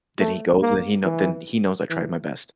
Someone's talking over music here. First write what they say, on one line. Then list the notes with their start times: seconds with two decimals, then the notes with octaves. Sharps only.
then he goes, and he know then he knows I tried my best."
0.19 A3
0.62 A#3
1.04 E3
1.90 E3